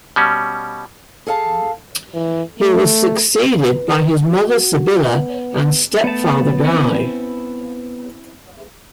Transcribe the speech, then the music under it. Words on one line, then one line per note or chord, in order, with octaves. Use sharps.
He was succeeded by his mother Sibylla and stepfather Guy.
B2 G3 C#4
G#4 A4 F5 A5
E3
A3
B4
F#4
B3
A3 B3 A5
C4 C#4 E4